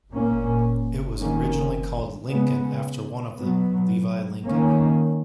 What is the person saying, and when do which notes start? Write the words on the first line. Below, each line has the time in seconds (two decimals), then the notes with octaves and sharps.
It was originally called "Lincoln" after one of them, Levi Lincoln.
0.11 A#2 A#3 C#4
1.20 D#3 A#3 C#4
2.28 C#3 G#3 B3
3.37 B2 F#3 B3
4.47 D#3 A#3 C#4